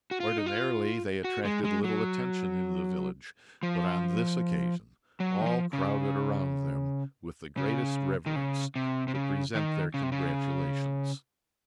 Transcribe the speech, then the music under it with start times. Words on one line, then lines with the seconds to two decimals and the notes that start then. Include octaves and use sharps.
Ordinarily they attracted little attention in the village; but on this occasion all crowded around them with the greatest reverence, to present their congratulations.
0.11 F#4
0.20 F4
0.38 D#4
0.46 F4
1.24 F#4
1.45 G#3
1.64 G#3
1.84 F#3
3.63 F3
5.20 F#3
5.42 D#3
5.46 F3
5.73 C#3
7.57 C#3
8.26 D#3
8.36 C#3
8.76 C3
9.08 C3
9.15 C#3
9.55 D#3
9.94 C#3
10.03 C3
10.12 C#3